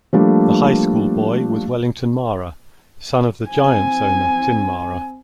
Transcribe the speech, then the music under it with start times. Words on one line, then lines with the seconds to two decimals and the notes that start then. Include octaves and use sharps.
The high school boy was Wellington Mara, son of the Giants owner Tim Mara.
0.13 F3 G3 A3 A#3 D4
3.49 C4 G#5